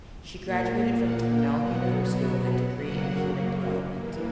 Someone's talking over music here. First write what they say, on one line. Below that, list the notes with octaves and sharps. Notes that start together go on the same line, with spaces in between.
She graduated from Cornell University with a degree in Human Development.
A#2 A#3
F#5
G5
B2 F#3 B3 F#5
E5
F#5
F#2 C#3 F#3 A#3 F#5
G2 E3 A#3